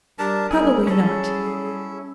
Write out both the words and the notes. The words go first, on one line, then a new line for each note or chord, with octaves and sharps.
Probably not.
G3 D4 G4 A#4 A5
F#3 G3 E4 G#4 A#4
C#4 G#4 A4